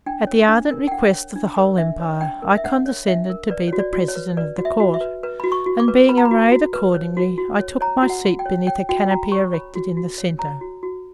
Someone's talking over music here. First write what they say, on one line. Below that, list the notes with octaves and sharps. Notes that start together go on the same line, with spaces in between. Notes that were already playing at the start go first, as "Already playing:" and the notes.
At the ardent request of the whole empire I condescended to be the president of the court, and being arrayed accordingly, I took my seat beneath a canopy erected in the centre.
D4 G5
C#5
D4
A#4
G5
D4 F#5
C#5
D4
A#4
D4 E5
C#5
D4 G5
A#4
E5
D4 F#5
C#5
D4 E5
A#4
B4 D5
C#5
F#4
D5
F#4
C#5
B4
B4 D5
F#4
E5
F#4
E5
B4
B4
F#4 B5
C#6
F#4
D6
B4
B4 B5
A#5
B5
F#4
F#4
B4
C#5
F#4
F#4
C#5
C#5 A#5
F#4
F#5
F#4
G5
C#5
C#5 G5
F#4 G5
G5
F#4 A#5
B5
C#5 C#6
C#5 B5
F#4
F#4
C#5
C#5 A#5
F#4
F#4